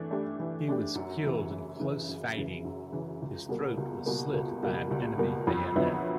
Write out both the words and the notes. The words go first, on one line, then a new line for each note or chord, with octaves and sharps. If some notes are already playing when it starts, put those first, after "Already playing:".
He was killed in close fighting; his throat was slit by an enemy bayonet.
Already playing: E3 A3 D4
A3 D4 G4
E3
A3 D4 G4
F#2
C#3 E3
F#2
C#3 E3
F#2
C#3 E3
F#2
C#3 E3
C#2
B2 G3 A#3
C#2
B2 G3 A#3
C#2
B2 G3 A#3
C#2
B2 G3 A#3
F2
D3 F#3 B3 E4